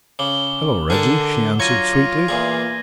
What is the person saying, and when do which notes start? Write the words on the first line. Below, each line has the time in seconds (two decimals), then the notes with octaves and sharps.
"Hello, Reggie!" she answered sweetly.
0.19 C#3 D6 F#7 G7
0.90 D3 G#4 A#4 A5
1.60 F#3 F4 C#6 G#6 A#6 D#7
2.29 E2 A#2 G#4